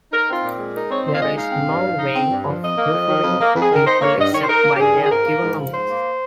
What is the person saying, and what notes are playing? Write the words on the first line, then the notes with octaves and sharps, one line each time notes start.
There is no way of referring to people except by their given numbers.
D#4 A#4
C4 F4
A#2
G#3
D#4 A#4
C4 C#5
A#2 C5
F5
G#3 D#5
D#4 F5
C4
G2
F3
D#4
C4
G2
F3
F2 D#5
A#3
F2
D#3
F2
A#3
F2
G#4
D#3 A#4
D#4 C5
A#3 C#5
G2 D#5
D#3 C#5
C5
D#4 A#4
A#3
G4
G2 G#4
D#3
G#4
G#2 A#4
A#3
G#2
F3
G#2 C5
A#3